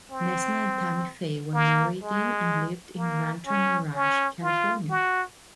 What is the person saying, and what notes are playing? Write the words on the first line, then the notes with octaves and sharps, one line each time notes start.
Messner and Tammy Faye were married in and lived in Rancho Mirage, California.
C4
A#3
G#3
A#3
C#4
C#4
F4
F#4